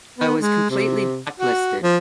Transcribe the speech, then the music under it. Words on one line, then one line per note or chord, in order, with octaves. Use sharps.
I was completely black-listed.
B3
G#3
C3
F#4
F3